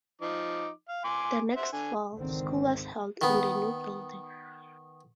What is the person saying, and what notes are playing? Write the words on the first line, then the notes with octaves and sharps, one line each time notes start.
The next fall, school was held in the new building.
F3 D#4 D6
F5
G#5 C6 D6
C5 E5 F#5
D3 G#5
G#1 C#2 D3 D#3 C4
D#3 B3